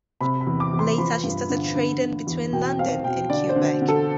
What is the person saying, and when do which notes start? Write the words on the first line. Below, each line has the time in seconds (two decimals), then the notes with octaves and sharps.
Later she started trading between London and Quebec.
0.21 C3 B5
0.41 B5
0.47 E2
0.60 D6
0.73 E2
0.79 C6
0.98 F3 B5
1.23 G2
1.49 D3
1.75 D3
2.01 D3
2.27 E2
2.53 B2 G5
2.79 C4 F5
3.04 B2 G5
3.30 D3 D5
3.49 C5
3.56 D3
3.82 D3
3.88 A4